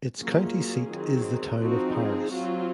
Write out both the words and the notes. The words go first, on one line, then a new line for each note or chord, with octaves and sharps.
Its county seat is the town of Paris.
F#3 A#3 C#4 F4 G#4
D#3 F#3 C4
F3 C4 D#4 F#4
G#4
F#3 C4 F4 F#4